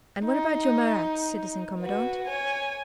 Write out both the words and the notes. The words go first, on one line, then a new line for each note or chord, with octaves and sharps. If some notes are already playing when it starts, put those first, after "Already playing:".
"And what about your Marats, citizen commandant?"
D#4
F#4 B4
C#5 G#5